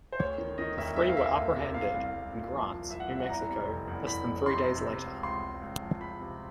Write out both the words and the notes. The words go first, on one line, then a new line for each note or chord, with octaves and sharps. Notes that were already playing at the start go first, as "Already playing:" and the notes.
The three were apprehended in Grants, New Mexico, less than three days later.
C5
D2 C#5
D#3
D#3 D#5
E1 E5
D#3 E5
F5
E1 E5
D2
C3
C2 F5
C2
C2
A#2
F3
A#2
C2 E5
F#5
C2 E5
F#5
E2 A#5
C3
F1
E2
E2 B5
F1
C3 C6
C3
C3
C#2
C#2 C6
C#2
C#2
F3
C#2 B5
C3